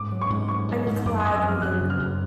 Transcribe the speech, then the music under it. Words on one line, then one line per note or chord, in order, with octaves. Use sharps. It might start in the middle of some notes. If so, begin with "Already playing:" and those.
I'm glad we didn't.
Already playing: G#2 D6
F#3
C#6
G#2
F#3 C#6
G#2
G#2
F#2 D6
F#2 D#6
E6
F3 F6
F#2 F#6
C#3
F6
F#2